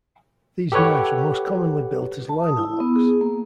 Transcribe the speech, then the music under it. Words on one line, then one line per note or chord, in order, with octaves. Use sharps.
These knives were most commonly built as linerlocks.
G4 A4 B4 C#5 F#5
A5
D#6
E4
B3
G#4
A#3